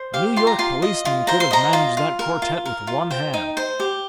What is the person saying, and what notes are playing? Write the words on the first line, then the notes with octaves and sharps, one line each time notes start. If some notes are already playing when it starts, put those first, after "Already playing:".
"A New York policeman could have managed that quartet with one hand."
Already playing: C5
G4 F5
F4 C6
A#5
F4 C6
D#5
F4
C5 A#5
C6
D#5 A#5
F4
F4
A#4
F4
A#4
F4
C5 G5
D#4
C5
G4